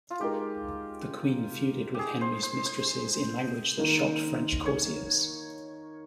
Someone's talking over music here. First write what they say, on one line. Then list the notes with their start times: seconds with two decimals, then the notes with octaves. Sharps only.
The queen feuded with Henry's mistresses in language that shocked French courtiers.
0.10 F4
0.20 G#3 D#4 G4 A#4
1.94 G4 G#4
2.21 C5
2.43 C5
2.66 C5
3.77 D#3 A#3 D#4 A#4
4.66 C#5